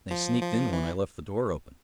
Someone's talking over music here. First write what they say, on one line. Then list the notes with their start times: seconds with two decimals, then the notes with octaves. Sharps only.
They sneaked in when I left the door open.
0.11 F3
0.42 F3
0.73 E3